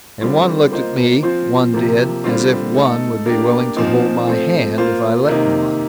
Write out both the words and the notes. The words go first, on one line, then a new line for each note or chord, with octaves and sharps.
And one looked at me, one did, as if one would be willing to hold my hand, if I let one.
D3 G3 C4 F4
A#3 F4 C5 D#5
F3 C4 F4 C5
C3 F3 A#3
D3 G3 C4 F4
A3 D#4 A4
A#3 D4 G4
A#2 F3 C4 D#4
F3 A3 C4
A#3 F4 C5
C3 D#3 A#3 D#4